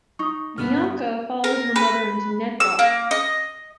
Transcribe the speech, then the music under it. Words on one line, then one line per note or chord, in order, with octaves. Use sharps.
Bianca followed her mother into netball.
D#4 C#6 D#6
G2 B2 D3 B3 F6
A#4
B4
E6
A#3
D#5